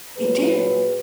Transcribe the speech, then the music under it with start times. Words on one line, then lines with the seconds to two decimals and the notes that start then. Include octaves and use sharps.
It did!
0.18 A#2 F#3 G#4 B4